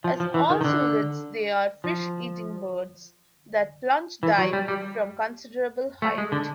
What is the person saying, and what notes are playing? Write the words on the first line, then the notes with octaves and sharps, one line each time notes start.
As all Sulids, they are fish-eating birds that plunge-dive from considerable height.
F3
F3
E3
D#3
D#3
D3
F3
E3
F#3
G3
G3
A3
G#3
D3